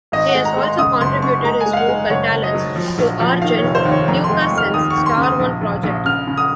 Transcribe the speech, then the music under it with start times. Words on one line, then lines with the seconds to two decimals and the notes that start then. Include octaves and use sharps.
He has also contributed his vocal talents to Arjen Lucassen's Star One project.
0.12 G#1 D#5
0.29 F#5
0.35 G#3
0.45 A#5
0.57 G#3
0.63 C6
0.78 C#3 D#6
1.00 F#1 C6
1.22 F#2 C#6
1.44 G#3 A#5
1.60 G#5
1.66 G#3
1.73 F5
1.77 F#5
1.88 G#3
2.10 F#1 C#5
2.32 F#1
2.43 D#5
2.54 F#3
2.76 F3
2.98 A#1
3.20 F3
3.42 D#3 F5
3.58 C#5
3.63 F1
3.75 C5
3.85 D#2
3.91 C#5
4.08 F2 A#5
4.24 G#3 C6
4.41 C#6
4.52 F2
4.58 F6
4.74 D#2 D#6
4.90 C#6
4.96 D#2
5.06 C6
5.18 C#3
5.23 D#6
5.40 A#1
5.61 A#1
5.83 A#1
6.05 C#3 F6
6.27 C#3
6.37 D#6